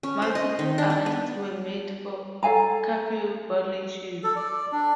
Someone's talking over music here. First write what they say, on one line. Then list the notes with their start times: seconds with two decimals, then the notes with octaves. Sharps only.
Multiple arrests were made for curfew violations.
0.03 C#4
0.22 C5
0.35 D#5
0.59 D#3
0.78 D4
0.90 D4
1.06 B3
2.43 A4 F5 G#5 A#5
4.24 A4
4.36 D5
4.72 D4